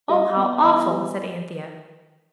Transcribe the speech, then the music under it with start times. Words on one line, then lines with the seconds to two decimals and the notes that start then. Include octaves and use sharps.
'Oh, how awful!' said Anthea.
0.09 G3 D#5
0.36 B3
0.63 E3 D#5
0.90 G3